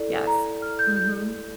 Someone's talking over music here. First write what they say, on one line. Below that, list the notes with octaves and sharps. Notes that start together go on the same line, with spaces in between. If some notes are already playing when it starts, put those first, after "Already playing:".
Yes. Mhm.
Already playing: E4 A4 D5
A#5
F6
G6
G6